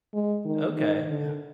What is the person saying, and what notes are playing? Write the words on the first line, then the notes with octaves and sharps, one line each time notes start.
Okay, ho
G#3
D#3
D#3
D3